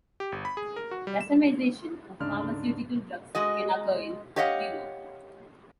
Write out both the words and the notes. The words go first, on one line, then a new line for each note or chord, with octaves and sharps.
Racemization of pharmaceutical drugs can occur "in vivo".
G4
G1
B5
G#4
A#4
F#4
G3
E7
D2 G#2 C#3 D4 F6
G#3 F#4 D#5
G4 C#5 D#5 F5 F#5